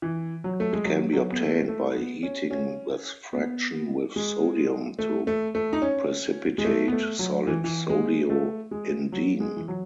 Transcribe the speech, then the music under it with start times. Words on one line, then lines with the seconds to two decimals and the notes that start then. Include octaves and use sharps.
It can be obtained by heating this fraction with sodium to precipitate solid sodio-indene.
0.02 E3
0.44 F#3
0.60 A3
0.73 G#3
0.85 F#3
1.13 F#3
1.32 B3
1.40 A3
1.68 A3
1.95 B3
2.23 C#4
2.51 C#4
3.33 B3
4.16 G#3
4.99 A3
5.27 A3
5.55 A3
5.73 D#4
5.82 C#4
6.58 G#3
6.65 A3
6.88 B3
6.92 A3
7.19 F#3
7.47 E3
7.64 E3
7.89 G#3
8.30 A3
8.71 G#3
9.12 F#3
9.40 G#3
9.57 E3
9.68 F#3